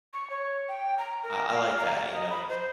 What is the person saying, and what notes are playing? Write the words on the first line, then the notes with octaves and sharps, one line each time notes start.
I I like that, you know,
C#6
C#5
G5
A#5
A#4
F5
A#5
D#5
B5
C5